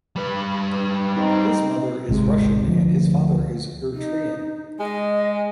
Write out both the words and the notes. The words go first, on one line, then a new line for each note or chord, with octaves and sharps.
His mother is Russian and his father is Eritrean.
G3 B4
C4 D#4
D1 G#1 C3 G#3
D2 F3
D#4
G#3 D#5